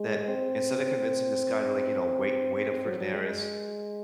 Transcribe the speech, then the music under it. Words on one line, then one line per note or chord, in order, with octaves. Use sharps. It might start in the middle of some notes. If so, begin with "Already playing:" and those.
that instead of convincing this guy to, like, you know, wait wait up for Daenerys,
Already playing: G#3
C4
C4
C4
F#3
F#3
G#3